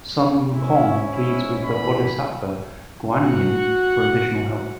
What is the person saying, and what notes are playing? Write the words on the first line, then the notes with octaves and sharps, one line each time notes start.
Sun Wukong pleads with the bodhisattva Guanyin for additional help.
G#2 C#4 E4
E4
E2 B5
F#4 F#5